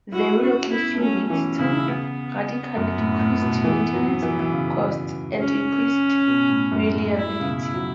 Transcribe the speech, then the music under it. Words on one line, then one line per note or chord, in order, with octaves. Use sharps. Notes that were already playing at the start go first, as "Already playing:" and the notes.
The relocation led to radically decreased maintenance costs and increased reliability.
E4 F#4
C#4 F#4
B3 E4
A3
F#3 C#4
E3 C#4
C#3 E4
B3
F#2
A2
A2
A2
B2
E3
F#3
E3
F#3
E3
C#3
C#4
B2
A2
F#2
A2
E4
C#3
B2
E4
F#3